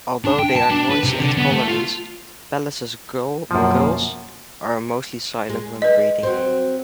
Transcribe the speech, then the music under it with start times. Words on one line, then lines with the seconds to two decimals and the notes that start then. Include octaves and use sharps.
Although they are noisy at colonies, Pallas's gulls are mostly silent when breeding.
0.25 D4
0.39 G5
0.56 A5
0.71 D4
0.90 B4
1.04 C3
1.20 D3
1.37 B3
1.51 A3
1.68 F4
3.51 F#2 B2 F3 A#3
5.49 G#3
5.82 B4 D#5
6.23 F#3 C4